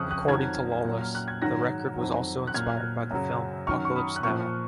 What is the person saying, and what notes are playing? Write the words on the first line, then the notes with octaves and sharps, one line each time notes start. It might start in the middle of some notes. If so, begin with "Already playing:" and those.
According to Lawless the record was also inspired by the film "Apocalypse Now".
Already playing: F2 C#3 F3 C#6 D#6 F6 F#6
D#6 F#6
F2 D#3 F#3 F6 G#6
A#2 F#3
F6
F#6
G#6
G#2 D#3 F#3 F#6 A#6
F2 D#3 F#3
F#6
A#2 F#3 F6 G#6
F#2 C#3 F#3
F#2 D#3 F#3 C#6 F6
C#6
B5 D#6
F#6
A#2 F3 C#6 F6